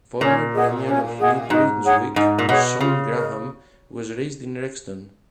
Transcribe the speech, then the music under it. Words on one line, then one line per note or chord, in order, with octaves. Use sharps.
Former Premier of New Brunswick, Shawn Graham, was raised in Rexton.
A#2 C#4
G#4 D#5 F#5
C#4
G#4 D#5 F#5
G#2 D#4
G#4 C#5 F#5
G#2 D#4
A#2
B2 G#4 C#5 F#5
C#3 F4
A#4 D#5